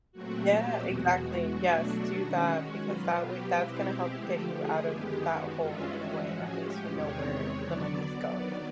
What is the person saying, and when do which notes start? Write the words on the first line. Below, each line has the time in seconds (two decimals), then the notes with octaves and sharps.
Yeah, exactly, yes. Do that because that way that's gonna help get you out of that hole in a way, and at least you know where the money is going.
0.12 A#2 F#3 A3 C4 F#4
0.47 G4
0.81 E2 B2 G#3 F#4
1.48 B2 F#3 A3 D4 F#4
2.17 D#3 G#3 C#4
2.84 B2 F#3 B3 F4
3.18 G4
3.51 B2 G#3 C4 E4 G4
4.19 D3 F3 A3 G4
4.53 G#4
4.87 F#2 D#3 G#3 B3 G4
5.21 F#4
5.55 G2 E3 G#3 C#4 E4 F4
5.88 F#4
6.22 A2 F3 G#3 C#4 F#4
6.57 G4
6.91 E2 C3 D#3 G#3 C4 C#5
7.59 D3 F#3 B3 D5
8.27 D#3 F#3 B3